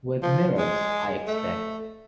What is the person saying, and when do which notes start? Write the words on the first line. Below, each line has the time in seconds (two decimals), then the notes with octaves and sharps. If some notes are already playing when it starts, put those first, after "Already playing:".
With mirrors, I expect.
0.22 F3
0.58 G#3
1.27 A3